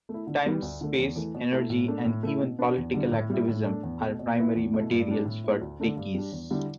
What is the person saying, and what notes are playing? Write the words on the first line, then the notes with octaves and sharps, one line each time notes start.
Time, space, energy and even political activism are primary materials for Takis.
A3
E4
D3
G3 B3
D2
D3 A3
E2
E3 A3
B2
A3 E4
A2
A3 D4
A2
A3 E4
B2
B3 D4
E2
D3 G3 E4
A2
G3 E4
A2
A3 D4
E2
B2 A3
B2
B3 E4
E2
B2 A3 E4
G2
G3 D4
A2
A3 E4
D2
D3 A3 D4
G2
G3 D4
E2
D3 G3 E4